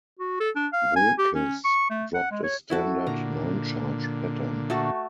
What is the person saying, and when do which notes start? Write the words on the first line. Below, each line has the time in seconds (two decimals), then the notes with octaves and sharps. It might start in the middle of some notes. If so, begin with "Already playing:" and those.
"Wilkes" dropped a standard nine-charge pattern.
0.19 F#4
0.40 A4
0.56 D4
0.73 F5
0.96 G#5
1.19 G4
1.35 C#4
1.65 C#6
1.90 A3
2.14 F#5
2.31 G#3
2.43 C#5
2.70 E4 F#4 A4
3.07 A#2 D3 A#5
4.70 A3 F#4 A4